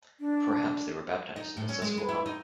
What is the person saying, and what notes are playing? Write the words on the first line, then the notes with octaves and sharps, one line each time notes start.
Perhaps they were baptized in the Susquehanna.
D4
D#4
A2
C#4
G#3
B4
E4
D#4